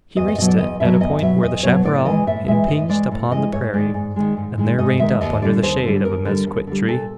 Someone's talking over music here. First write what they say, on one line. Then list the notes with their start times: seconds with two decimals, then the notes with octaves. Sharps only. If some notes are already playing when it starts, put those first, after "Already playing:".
He reached it, at a point where the chapparal impinged upon the prairie, and there reined up under the shade of a mezquit tree.
0.17 E2 D#5
0.28 D#5
0.38 B2 D#5
0.41 F#3
0.48 D5
0.58 E2 D#5
0.80 B2 F#3 E5
1.00 E2 D#5
1.22 B2 F#3 E5
1.43 E2 D#5
1.63 B2 F#3 C#5
1.85 A2 D5
2.05 E3 G#3 D#5
2.27 A2 E5
2.48 E3 G#3 E5
2.68 A2 D#5
2.89 E3 G#3 D5
3.11 A2
3.31 E3 G#3 D#5
3.53 G#2 C#5
3.73 D#3 G#3 D5
3.94 G#2
4.16 D#3 G#3
4.37 G#2
4.58 D#3 G#3
4.78 G#2 D#5
4.99 D#3 G#3 E5
5.21 D#2 D#5
5.42 D3 G3 D5
5.63 D#2 C5
5.83 D3 G3
6.04 D#2 A#4
6.25 D3 G3
6.47 D#2
6.67 D3 G3
6.88 A#2 A4